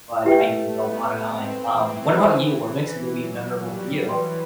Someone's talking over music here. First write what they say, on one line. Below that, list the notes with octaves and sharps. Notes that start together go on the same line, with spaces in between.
but I could go on and on. Um, what about you? What makes a movie memorable for you?
A3 E4 G4 B4 E5 G5
B3
C4
E3
A4 C5 F#5 B5
F#3
G3
E3 B4 D5 G5 C6